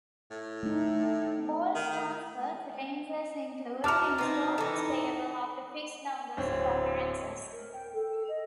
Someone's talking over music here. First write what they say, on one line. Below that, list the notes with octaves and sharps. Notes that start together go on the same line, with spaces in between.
Ball's transfer to Rangers included instalments payable after fixed numbers of appearances.
A2
A3 D#4
D#3
F#4 A5 A#5 D6 F6
B3 C4 D#4
E3 D#4 A4
D1 C4 C#5
A#4
G5
A4
D#5